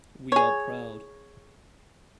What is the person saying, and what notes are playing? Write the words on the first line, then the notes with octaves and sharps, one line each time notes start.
We are proud.
G#4 C#5